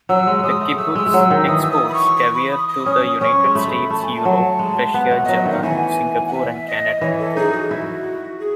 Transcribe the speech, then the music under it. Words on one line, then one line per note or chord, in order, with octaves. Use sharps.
The kibbutz exports caviar to the United States, Europe, Russia, Japan, Singapore and Canada.
F#3 E6
G#3
G#3 D#6
A3
A3 E6
G#3 E6
G#3
F#3
D#3
E3 D#6
E6
D#6
B5
C#6
C#6
B5
D#6
D#6
C#4 D#6
C#4 C#6
G#3
A3 B5
A3 A5
G#5
A5
F#3
G#3
B3
A3
F#3 D#5
E5
D#3 F#5
E3 G#5
F#5
E5
D#5
E3 C#5
A4
D#4 G#4
F#4
E4
G#4